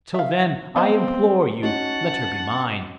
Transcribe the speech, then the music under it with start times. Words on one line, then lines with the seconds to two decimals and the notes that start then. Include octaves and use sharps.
Till then, I implore you, let her be mine.
0.14 E5 F5
0.76 B3 C4 C5 D#5 F5
1.63 C#4 D#4 F#4 F#5 A5